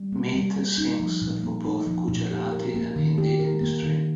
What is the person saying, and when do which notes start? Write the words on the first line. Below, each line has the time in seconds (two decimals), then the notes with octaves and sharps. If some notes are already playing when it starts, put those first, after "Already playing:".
Meet sings for both Gujarati and Hindi industry.
Already playing: G3
0.12 A#3
0.34 G3
0.56 A#3
0.78 D#4
1.00 F3
1.22 A#2
1.43 A#3
1.65 D#4
1.87 F3
2.08 A#2
2.31 G4
2.52 A#4
2.74 A#3
2.96 D#3
3.18 G4
3.40 A#4
3.61 A#3
3.83 D#3